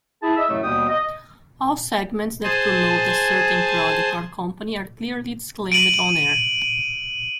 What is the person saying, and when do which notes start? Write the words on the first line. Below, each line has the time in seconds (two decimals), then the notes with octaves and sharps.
All segments that promote a certain product or company are clearly disclaimed on air.
0.21 E4 G#4 A5
0.35 D#5 E5 E6
0.48 F#2 A2 C3 F#3 A3
0.63 D#2 B2 G3 B3 G5 D#6
0.88 D#5
2.44 G#4 C5 G#5 A5
5.72 D7 D#7 F#7